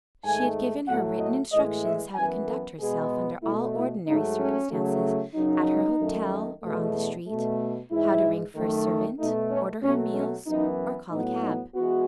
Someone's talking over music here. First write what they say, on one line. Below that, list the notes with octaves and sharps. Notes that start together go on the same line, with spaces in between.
She had given her written instructions how to conduct herself under all ordinary circumstances, at her hotel or on the street--how to ring for a servant, order her meals, or call a cab.
G#2 D#3 A3 G#5
A2 F#3 A3 F#5
D#5
A2 E3 G#3 D#5
E5
F#2 E3 B3 G#5
A4
B2 G#3 B3 G#4
B2 A3 E4
E4
G#2 F#3 A3 D#4
C#4
C#3 F#3 A3
F#2 C#3 F#3 D#4
F#2 D#3 A3
E2 B2 A3
B2 A3
G#2 E3 G#3 E4
F#2 D#3 A3
B2 A3 D#4
C#4
B2 F#3 A3 C#4
C#4
F#2 E3 B3 D#4
A2 F#3 B3 D#4
D#4
E3 G#3 B3 F#4